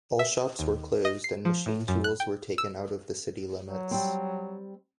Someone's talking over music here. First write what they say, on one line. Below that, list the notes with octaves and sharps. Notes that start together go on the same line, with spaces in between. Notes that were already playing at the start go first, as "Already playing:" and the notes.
All shops were closed, and machine tools were taken out of the city limits.
E5
D#2
D#5
C7
F3
A2
F#2
F#6
G5
E6
F#3
G3 C4